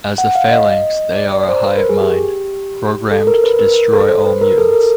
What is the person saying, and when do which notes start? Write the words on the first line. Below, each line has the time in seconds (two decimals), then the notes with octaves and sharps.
As the Phalanx they are a hive mind, programmed to destroy all mutants.
0.18 F#5
0.35 F5
0.51 D#5
1.16 D5
1.32 D5
1.49 C5
1.65 B4
1.77 A#4
1.89 G#4
2.01 G4
3.11 A4
3.27 A#4
3.44 B4
3.59 A#4
3.93 A4
4.09 C5
4.25 B4
4.41 A#4
4.58 A4
4.73 A#4